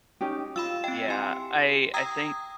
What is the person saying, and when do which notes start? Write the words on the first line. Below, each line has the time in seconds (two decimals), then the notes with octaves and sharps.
Yeah, I I think
0.21 C#4 D#4 G4
0.56 F4 F5 B5 E6 E7
0.84 C4 D#5 G5
1.08 E4 G4 G#5 C6
1.94 G5 A#5 D#6 E6 G#6 A#6